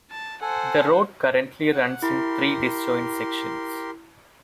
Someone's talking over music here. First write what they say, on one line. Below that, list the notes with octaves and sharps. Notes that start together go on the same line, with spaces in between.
The road currently runs in three disjoint sections.
A5
A4 C5 F#5 G#5
F#5
E4 G4 A#4 C6